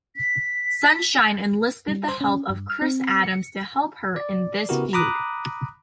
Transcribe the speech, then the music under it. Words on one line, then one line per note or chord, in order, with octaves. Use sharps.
Sunshine enlisted the help of Chris Adams to help her in this feud.
B6
G3
C5
C#4
G2
F6
C4
C#7
D5
C#3 B3 E4 F#4 G4 A#4
A#5 B5 D6 D#6 F#6